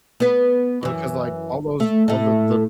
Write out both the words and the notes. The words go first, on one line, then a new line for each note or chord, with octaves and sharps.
but 'cause, like, all those all the the
B3 B4
F#2 E3
A3
A2 A3